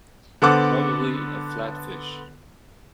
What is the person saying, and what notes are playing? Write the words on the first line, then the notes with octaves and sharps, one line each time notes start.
Probably a flatfish.
D3 B3 A4 C5 F#5 D6